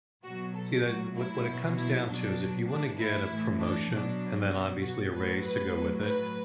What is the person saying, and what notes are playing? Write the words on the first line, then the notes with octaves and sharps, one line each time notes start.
See, eh, what what it comes down to is if you wanna get a promotion and then obviously a raise to go with it,
B2 F#4
F#3
A4
A2 F#3 F#4
E4
B2 F#3
E4
B2 F#3 D4
A2 E3 D4
E4
A2 E3
D4
B2 F#3 D4
B2 F#3 F#4
F#4
A2 F#3 B4
B4
A2 F#3
B4